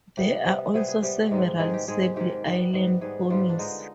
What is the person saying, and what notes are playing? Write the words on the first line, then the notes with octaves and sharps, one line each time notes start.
There are also several Sable Island Ponies.
C3 G3 B3 G4
C3 G3 B3
C3 G3 B3 G#4
G#4
C3 G3 B3 G4
G#2 D#3 G#3
G#2 D#3 G#3 G#4
G4
G#2 D#3 G#3 G#4
G4
G#2 D#3 G#3 G4
G#2 G3 B3
G#2 G3 B3
G#2 G3 B3 G#4
G#2 G3 B3 F4
D4
D3 G#3 B3 D#4